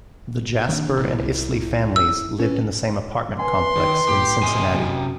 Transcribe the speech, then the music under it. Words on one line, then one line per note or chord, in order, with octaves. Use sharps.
The Jasper and Isley families lived in the same apartment complex in Cincinnati.
D#3 A#3 C4 D4
A1 B2 E4
C2
E6
C#4 B4
B4 G#5 C6
D#3
A2 G4
C3 D#5 G#5
F#2 C#4